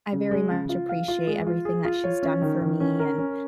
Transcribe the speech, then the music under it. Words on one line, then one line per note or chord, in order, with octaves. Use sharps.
I very much appreciate everything that she's done for me and,
C#3
G#3
C#3
F4
F5
F4
G#3
F4
G#4
F4
C#5
C#4
D#3
D#3
C#4
A#4
C#4